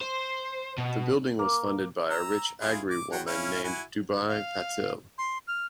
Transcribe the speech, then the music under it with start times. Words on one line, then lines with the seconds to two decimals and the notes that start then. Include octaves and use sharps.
The building was funded by a rich Agri woman named Deubai Patil.
0.01 C5
0.78 B2
1.39 A#3
2.10 A#5 E6
2.61 E4 F4 G#4
2.90 D6
3.12 F#3 F#5 G5
3.27 C#4 E4 F5
3.64 E4 F#4 G#5
4.28 F5
5.18 C6
5.48 F6